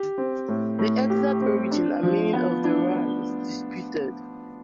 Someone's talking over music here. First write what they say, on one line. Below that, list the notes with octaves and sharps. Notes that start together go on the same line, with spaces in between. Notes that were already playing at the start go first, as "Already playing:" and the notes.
The exact origin and meaning of the rhyme is disputed.
Already playing: G4
C4
A2
A2
G4
C4
D4
F3
B3
D4
B3